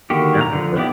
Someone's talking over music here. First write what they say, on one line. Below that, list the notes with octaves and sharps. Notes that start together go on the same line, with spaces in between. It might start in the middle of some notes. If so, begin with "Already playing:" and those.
Yeah. Yeah.
D3 D#3 A#3 F#4 G4
A#5
D3 D#3 F3
B3 D#4 E4 G4 D5